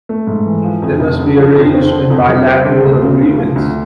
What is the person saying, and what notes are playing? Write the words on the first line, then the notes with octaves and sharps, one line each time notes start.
They must instead be arranged in bilateral agreements.
A3
G#2
E3
F3
F2
F1
D3
F3
F2
C4
D3
F2
G3
C4
D3
D2
C#3
D2
F3
D2